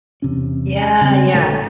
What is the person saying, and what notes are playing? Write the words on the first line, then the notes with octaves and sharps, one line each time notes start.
Yeah, yeah.
E2 C3 C#4
C#3 G3 C4
A#1 G#2 D3 A3